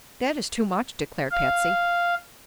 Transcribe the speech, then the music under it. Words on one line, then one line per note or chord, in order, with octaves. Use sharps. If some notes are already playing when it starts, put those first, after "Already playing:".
"That is too much," declared Patsy.
F5